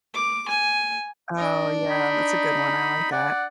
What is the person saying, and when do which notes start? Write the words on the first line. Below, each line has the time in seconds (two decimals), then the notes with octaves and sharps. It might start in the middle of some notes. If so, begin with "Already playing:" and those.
Oh, yeah. That's a good one. I like that.
0.14 D6
0.48 G#5
1.38 D4 D#5
1.90 D#4 B5
3.12 D5 F#5